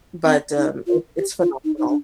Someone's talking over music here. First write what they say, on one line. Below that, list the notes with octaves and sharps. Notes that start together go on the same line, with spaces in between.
but, um, it it's phenomenal.
C4
D#4
F4
G4
F4
D#4
D#4
D4